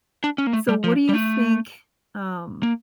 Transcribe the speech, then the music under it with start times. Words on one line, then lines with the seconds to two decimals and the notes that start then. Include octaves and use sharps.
So, what do you think, um
0.24 D4
0.38 C#4
0.47 A#3
0.53 A3
0.69 G3
0.84 F3
1.09 G3
1.13 A3
2.63 A#3